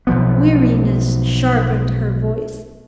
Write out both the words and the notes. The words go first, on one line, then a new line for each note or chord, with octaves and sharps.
Weariness sharpened her voice.
B1 F3 B3